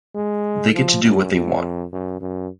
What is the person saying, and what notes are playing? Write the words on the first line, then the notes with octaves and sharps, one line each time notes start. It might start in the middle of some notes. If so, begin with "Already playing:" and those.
They get to do what they want.
G#3
F3
F#2
F2
F#2
F#2